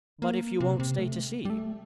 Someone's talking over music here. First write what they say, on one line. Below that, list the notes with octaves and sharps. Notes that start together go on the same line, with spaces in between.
"But if you won't stay to see!"
A#3
C3
C3
A3
G3
A3